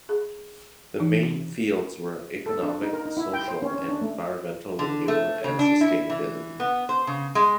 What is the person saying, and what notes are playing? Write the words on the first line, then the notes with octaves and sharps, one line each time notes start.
The main fields were economic, social, and environmental renewal and sustainability.
G#4
E3 D#4
A4
D4
D#4
A#4
D#4
E4
G5
C5
C#4
C#4
D4
A3
D3
A3
C#3
D4
E4
E3
B3
C5
C#3
G#3